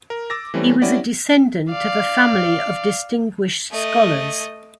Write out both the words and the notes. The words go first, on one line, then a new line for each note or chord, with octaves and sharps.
He was a descendant of a family of distinguished scholars.
A#4
D6 E6 A6 A#6
E3 G3 A3 C4 C#4
C#4 E4 G4 D5 F#5
D5 F5
A3 D#5